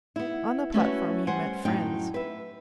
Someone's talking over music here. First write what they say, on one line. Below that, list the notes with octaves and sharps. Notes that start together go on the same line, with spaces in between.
On the platform he met friends.
B3 E4
A3 C#4 E4 F#4 B4 C#5
G3 C5 F#5 G#5
F#2 A2 D#4 G5
B4 E5